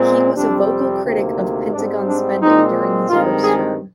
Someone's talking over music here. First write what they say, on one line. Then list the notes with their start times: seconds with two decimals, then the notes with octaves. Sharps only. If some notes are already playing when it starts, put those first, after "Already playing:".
He was a vocal critic of Pentagon spending during his first term.
Already playing: A#2 G#3 C4
0.35 F2 C3 G3 C4 D4
1.04 D2 C3 D#3 A#3 C4
1.72 G#2 G3 C4 D4
2.06 D4
2.41 A#2 G#3 C4 D#4
3.09 G2 D#3 G#3 C4 F4
3.43 G#4